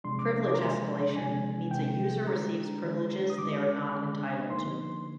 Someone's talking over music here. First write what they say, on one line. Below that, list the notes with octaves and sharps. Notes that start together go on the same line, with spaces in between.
Privilege escalation means a user receives privileges they are not entitled to.
C3 F3 G#3 D4 C6
D6
D6
A#5
C3 F3 G#3 D4 C6
C3 F3 G#3 D4 G#5
C3 F3 G#3 D4 G5
D3 G#3 D4 A#5
D3 G#3 D4
D#6
D3 G#3 D4 D6
D3 G#3 D4
D3 F3 A#3 D#4 C6